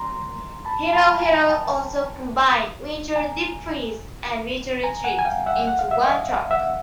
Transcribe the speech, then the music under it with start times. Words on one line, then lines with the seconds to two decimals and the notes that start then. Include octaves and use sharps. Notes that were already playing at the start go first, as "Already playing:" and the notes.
"Hero, Hero" also combine "Winter", "Deep Freeze" and "Winter Retreat" into one track.
Already playing: A#5 C6
0.65 A5 B5
0.93 A5 B5
1.21 G#5 A#5
1.49 G5 A5
3.16 G#5 A#5
4.83 G#5 A#5
5.04 F#5 G#5
5.19 G#5
5.25 F5 G5
5.46 E5 F#5
5.67 F#5
5.79 F5
5.91 E5
6.04 D#5 F5
6.51 E5 F#5